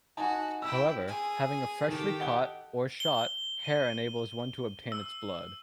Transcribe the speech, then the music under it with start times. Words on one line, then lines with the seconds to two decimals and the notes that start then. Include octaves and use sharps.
However, having a freshly caught, or shot, hare enables one to obtain its blood.
0.17 D#4 F#4 G#5 A5
0.62 E4 G5 E6
1.07 G#4 G#5
1.89 D#3 G4 A4
2.20 D#5 F#5 G7
3.00 G7
3.65 D#7
4.92 E6